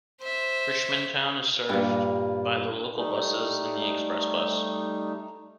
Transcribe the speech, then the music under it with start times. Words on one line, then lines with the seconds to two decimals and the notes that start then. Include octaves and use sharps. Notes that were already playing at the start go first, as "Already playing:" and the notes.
Richmondtown is served by the local buses and the express bus.
0.20 C5 E5
1.69 G2 A#2
2.95 G3 A3 D#4